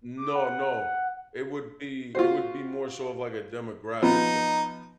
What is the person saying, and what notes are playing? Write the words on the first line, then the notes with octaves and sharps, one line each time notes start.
No, no. It would be It would be more so of, like, a demographic thing,
D6
F#5
F4 F#4 C5
F3 B3 D#4